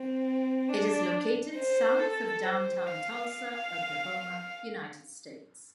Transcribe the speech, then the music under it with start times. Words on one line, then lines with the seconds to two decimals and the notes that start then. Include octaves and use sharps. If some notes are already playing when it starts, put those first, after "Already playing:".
It is located south of downtown Tulsa, Oklahoma, United States.
Already playing: C4
0.68 D4
1.56 C5
1.99 A4
2.43 C5
2.87 F5
3.31 F5